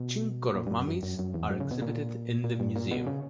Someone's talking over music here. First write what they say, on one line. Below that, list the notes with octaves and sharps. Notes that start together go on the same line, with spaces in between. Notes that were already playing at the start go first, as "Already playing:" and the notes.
Chinchorro mummies are exhibited in the museum.
Already playing: B2
A#2
G2
F#2
F#2
F#2
F#2
E2
F#2
C#3
B2
A#2
A#2
G2
A#2
B2
C#3